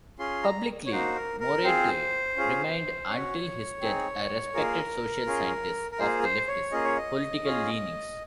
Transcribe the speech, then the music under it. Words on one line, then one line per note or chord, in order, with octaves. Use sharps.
Publicly, Morote remained until his death a respected social scientist of leftist political leanings.
C#4 F4 G#4 C6
A#5
C#5
A#3 D#4 F#4 C5
A#4
A#4
C4 F4 G#4 C5
C#4 F4 G#4
C#4 F#4 C#5
C4 D#4 G#4
A#3 F4 G#4 A#4
C#4 F4 G#4
A#4
A#3 F4 G#4 C5
C5
C#5
A#3 C#4 F4 G#4 D#5
C#5
D#5
C#4 F4 G#4